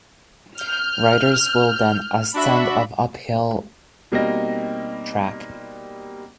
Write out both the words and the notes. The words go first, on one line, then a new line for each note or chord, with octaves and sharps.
Riders will then ascend of uphill track.
F6 G6
D4 F#4 E5 B5
B2 G3 A#3 C4 D#4 A#6